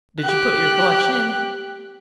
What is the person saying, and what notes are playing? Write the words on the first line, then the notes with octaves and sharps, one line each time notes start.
"Did you put your collection in?"
G4 F#6